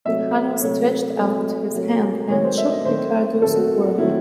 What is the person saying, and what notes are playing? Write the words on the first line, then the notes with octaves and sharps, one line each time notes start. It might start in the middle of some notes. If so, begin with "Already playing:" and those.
Hanaud stretched out his hand and shook Ricardo's warmly.
C3 F#3 A3 E5
C3 F#3 A3 C#5
C3 F#3 A3
C3 F#3 A3
D#3 F#3 A3 C4 C#5
C5
E5
D#5
D#3 F#3 A3 C4 C5
D#3 F#3 A3 C4 A4
F#4
F#4
D#3 F#3 A3 C4 E4